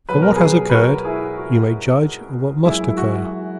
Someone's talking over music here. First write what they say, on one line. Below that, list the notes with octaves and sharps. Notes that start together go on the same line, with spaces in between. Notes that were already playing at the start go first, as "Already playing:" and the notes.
From what has occurred, you may judge of what must occur.
B2 F#3 B4
A#4
G#4 B4
B4
F#4 A#4
E4 G#4
F#4
F#2 E3 G#3 E4
E4
F#4